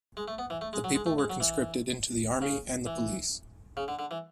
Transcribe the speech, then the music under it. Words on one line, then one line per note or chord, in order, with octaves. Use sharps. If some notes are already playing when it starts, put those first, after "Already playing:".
The people were conscripted into the army and the police.
G#3
A3
B3
E3
A3
G#3
F#3
G#3
A3
G#3
F#3
E3
C#3
E3
C#3
D3
D3
E3